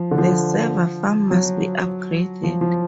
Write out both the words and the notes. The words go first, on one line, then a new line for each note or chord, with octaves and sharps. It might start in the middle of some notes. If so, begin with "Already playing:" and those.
The server farm must be upgraded.
Already playing: F3
D3
F3
F#3
F3
F3